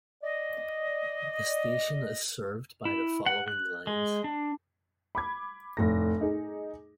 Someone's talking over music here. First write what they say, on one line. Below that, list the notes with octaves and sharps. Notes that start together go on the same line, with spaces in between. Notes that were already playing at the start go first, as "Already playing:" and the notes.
The station is served by the following lines.
D5 D#5
E4
F#5
F#6
G#3
D4
B5 D6 G#6
F1 A2 A#6
D#4 G#4